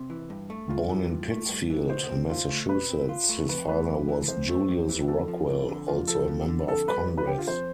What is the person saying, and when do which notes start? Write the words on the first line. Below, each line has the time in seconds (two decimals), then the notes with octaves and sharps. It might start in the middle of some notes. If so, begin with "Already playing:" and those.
Born in Pittsfield, Massachusetts, his father was Julius Rockwell, also a member of Congress.
Already playing: C3
0.10 E3
0.30 G2
0.50 A3
0.69 G2 F4
0.89 E3
1.09 G2
1.30 A3
1.49 G2
1.70 E3
1.89 B2 C5
2.09 C4
2.30 F4
2.49 A3
2.69 B2 B4
2.89 C4
3.09 F4
3.29 A3
3.48 F2 B4
3.68 A3 B4
3.89 F2
4.09 E3
4.28 F2 C5
4.48 A3
4.68 F2
4.89 E3
5.08 F2 A4
5.28 F3
5.48 F2
5.69 D3
5.88 F2 F4
6.08 F3 A4
6.28 F2
6.48 D3
6.68 F2 A4
6.88 G3 B4
7.08 F2
7.18 B4
7.27 D3 G4
7.38 F4
7.47 F2 C5